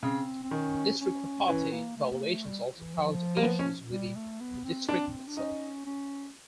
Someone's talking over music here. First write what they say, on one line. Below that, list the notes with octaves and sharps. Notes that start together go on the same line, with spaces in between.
District property valuations also caused issues within the district itself.
C#3 C4
C4
D#3 C#4
C#4
E3 C#4
A#3
A3
A#3
A3
G3
E3
F3
A#3
B3
C#4
G3
A3
B3
C4
C4 D4
D4
C#4 D#4
C#4